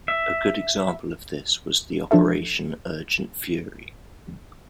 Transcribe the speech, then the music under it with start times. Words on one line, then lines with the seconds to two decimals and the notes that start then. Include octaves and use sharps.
A good example of this was the Operation Urgent Fury.
0.08 E5
2.11 F3 D4 F4 A4 E5